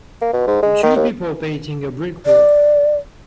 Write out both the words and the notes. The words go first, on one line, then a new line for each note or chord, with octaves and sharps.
Two people painting a brick wall.
A#3
B2
G#2
G#3
D#3
D#2
D5